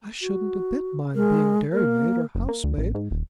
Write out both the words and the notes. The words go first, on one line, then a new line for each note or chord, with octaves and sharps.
I shouldn't a bit mind being dairymaid or housemaid.
F#4
G#3 A#4
A#3 A#4
F#1
A#3
D2
A1
G#2
D#1